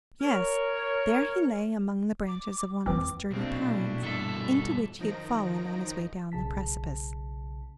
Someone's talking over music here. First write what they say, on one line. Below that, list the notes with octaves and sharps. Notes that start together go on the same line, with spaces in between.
Yes, there he lay among the branches of one of the sturdy pines, into which he had fallen on his way down the precipice.
A#4 C#5
D6
E2 E3 C4 D6
B1 A#2 C4 D4 E4
G2 B2 A4 E5
F#2 D#3 F3 D#4 A#6 D7
B1 C#3 A5 B6